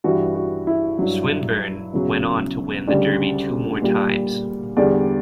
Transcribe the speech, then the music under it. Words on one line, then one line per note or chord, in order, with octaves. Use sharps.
Swinburn went on to win the Derby two more times.
G2 E3 G3 F#4
F#4
E4
G2 F#3
E2 C#3 F#3
D2 C#3 G3 D5
A#2 G3
E2 D3 G3 D5